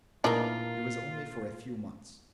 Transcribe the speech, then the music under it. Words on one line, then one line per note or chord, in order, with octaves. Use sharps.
It was only for a few months.
A#2 E3 D4 D#4 F4 A#4